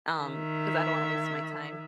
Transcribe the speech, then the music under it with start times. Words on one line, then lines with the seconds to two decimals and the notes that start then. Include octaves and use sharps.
um, because I don't want to waste my time.
0.19 D#3 E5